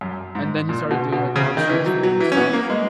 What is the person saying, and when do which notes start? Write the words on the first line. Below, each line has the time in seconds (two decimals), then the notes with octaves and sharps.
and then he started doing, like, a lot of shoots for him and stuff,
0.01 F#2
0.35 G#2
0.69 A#2
0.91 B2
1.13 B2
1.36 C#3
1.57 D#3
1.69 E3
1.86 F#3
2.03 F#3
2.20 E3
2.32 C#4
2.37 B3
2.53 A#3
2.70 G#3